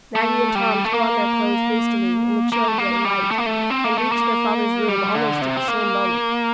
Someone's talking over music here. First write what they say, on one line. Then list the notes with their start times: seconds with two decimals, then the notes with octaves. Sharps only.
Maggie and Tom threw on their clothes hastily in the chill gray light, and reached their father's room almost at the same moment.
0.16 A3
0.55 G3
0.85 A3
0.94 A#3
2.52 A#3
2.68 A3
2.78 A#3
3.05 G3
3.31 A3
3.38 A#3
3.46 A3
3.70 C4
3.84 A#3
3.98 A3
4.12 A#3
4.88 G3
5.15 D3
5.42 C3
5.57 C4
5.68 A#3